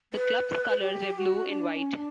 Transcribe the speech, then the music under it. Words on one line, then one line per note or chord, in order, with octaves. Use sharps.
The club's colors were blue and white.
B4
G4
G4
F#4
D4
D4
C#4
D4